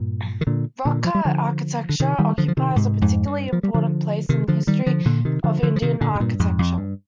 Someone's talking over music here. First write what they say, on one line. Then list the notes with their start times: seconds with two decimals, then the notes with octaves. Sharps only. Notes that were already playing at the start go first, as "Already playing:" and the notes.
Rock-cut architecture occupies a particularly important place in the history of Indian Architecture.
Already playing: G2 A#2
0.41 D#3
0.47 A#2 D3
0.85 A#2 D3
1.04 F3
1.15 G3
1.25 D3 F3
1.89 D3
2.00 C3 D#3
2.19 D#3 G3
2.38 D3 F3
2.48 F3
2.57 C3 D#3
2.76 G#2 C3
3.01 F2 G#2
3.27 G2
3.53 F3
3.63 G3
3.74 D3 F3
4.29 C3 D#3
4.48 D3 F3
4.67 D#3 G3
4.86 D3 F3
5.05 A#2 D3
5.25 C3 D#3
5.44 D3 F3
5.63 D3 F3
5.76 F3
5.82 C3 D#3
6.01 A#2 D3
6.15 G#2
6.20 G2 A#2
6.40 F2 G#2
6.59 F2
6.78 G2